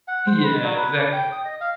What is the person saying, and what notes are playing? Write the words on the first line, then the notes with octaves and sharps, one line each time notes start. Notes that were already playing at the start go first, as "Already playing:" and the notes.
Yeah, exactly.
F#5
C5
B4
F#3
B4
D4
G5
D#6
D#5
F5